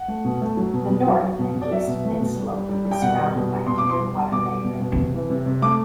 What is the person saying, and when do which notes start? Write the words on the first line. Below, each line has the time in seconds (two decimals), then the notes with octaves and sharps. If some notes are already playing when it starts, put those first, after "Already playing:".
The north and east mid slope is surrounded by Clear Water Bay Road.
Already playing: F#5
0.08 A3
0.25 B2
0.41 A3
0.57 F#3
0.73 B2
0.90 B2
1.07 F#3
1.23 F#3
1.39 B2
1.55 B2
1.62 D5
1.71 F#3 E5
1.87 B2
2.05 A3
2.20 B2
2.36 G3
2.53 G3
2.69 G3
2.85 G3
2.91 G5
3.02 B2 F#5
3.18 G3
3.35 B2
3.51 G3
3.67 B2 C6
3.78 D6
3.83 B2
3.90 C6
3.99 G3
4.16 G3
4.32 B2 D6
4.48 G3
4.64 B2
4.80 B2
4.97 C3
5.14 E3
5.30 C3
5.46 C3
5.62 A3 D6